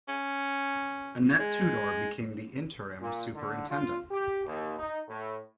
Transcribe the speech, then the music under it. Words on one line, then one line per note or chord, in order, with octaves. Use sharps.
Annette Tudor became the interim superintendent.
C#4
G#3
A#2
D3
F4
G4
D#2
D#4
A2